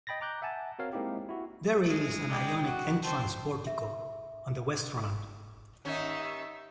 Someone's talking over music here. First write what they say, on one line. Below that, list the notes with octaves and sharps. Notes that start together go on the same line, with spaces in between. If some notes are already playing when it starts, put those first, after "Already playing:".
There is an Ionic entrance portico on the west front.
D#5 G5 B5 A6 A#6
A#5 D6 F#6 G6
E5 F#5 G#5 A5
C4 F#4 A#4 C#5 F5
G#3 A#3 C4 D#4 E4 G4
E4 F#4
G#3
D5 G5
F#4
C4 A5 C6
E5
D#2 D#3 C#4 D#4 E5